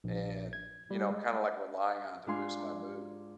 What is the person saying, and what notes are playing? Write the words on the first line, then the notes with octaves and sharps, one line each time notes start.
and, you know, kind of like relying on to boost my mood.
A#1
G#6
G3
G#3
G#2 D4 F4 F5 G#5 C6